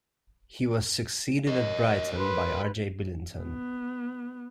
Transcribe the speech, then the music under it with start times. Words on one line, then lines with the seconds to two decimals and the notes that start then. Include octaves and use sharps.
He was succeeded at Brighton by R. J. Billinton.
1.47 A#4 C#5 D#5
2.18 B4 C6
3.40 B3